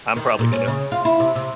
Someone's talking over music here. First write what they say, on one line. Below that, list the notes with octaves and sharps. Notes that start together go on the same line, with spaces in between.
I'm probably gonna.
D#3
A#2
C#4
C#3
F4
E4
C3
C3